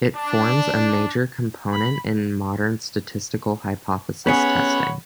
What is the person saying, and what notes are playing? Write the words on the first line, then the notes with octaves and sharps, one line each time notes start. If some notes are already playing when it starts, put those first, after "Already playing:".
It forms a major component in modern statistical hypothesis testing.
D4
B5
B3 C#4 G#4 C#5 F#5 B5